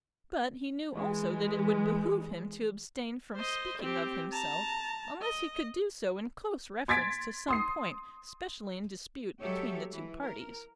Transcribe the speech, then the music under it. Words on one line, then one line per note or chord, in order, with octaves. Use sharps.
But he knew also that it would behove him to abstain from speaking of himself unless he could do so in close reference to some point specially in dispute between the two parties.
E3 G#3
C5 D#5
C4 G4
A5 A#5
D#5
C6 G#6 A6 B6 D7
C6 D#6 C7
F#3 G#3 G4 A4 C#5 E5
E3
A#4